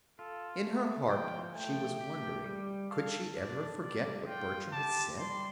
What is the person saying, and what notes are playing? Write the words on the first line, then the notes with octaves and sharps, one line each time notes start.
In her heart she was wondering: could she ever forget what Bertram had said?
F4 A4
A3
F3 G5
A3 G5
G4
G3
A4 F5
D4 D5
G3 D5
F4 G5
G4 A5
G3 C6